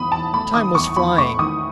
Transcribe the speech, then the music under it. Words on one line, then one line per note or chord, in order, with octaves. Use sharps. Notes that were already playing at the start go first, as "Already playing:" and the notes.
Time was flying.
Already playing: E2 D#3 B5 D#6
E2 A5
A3 B5
D#3 D#6
E2 C#6
E2 B5
A3 C#6
D#3 D#6